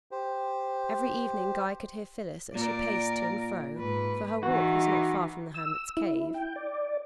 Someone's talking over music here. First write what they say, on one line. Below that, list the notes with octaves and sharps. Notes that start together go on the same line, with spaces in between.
Every evening Guy could hear Phyllis as she paced to and fro, for her walk was not far from the hermit's cave.
G4 C5
A#2 A#4 D5
G#2 B4
D#3 E3 F#4
E6
E4
G5
D5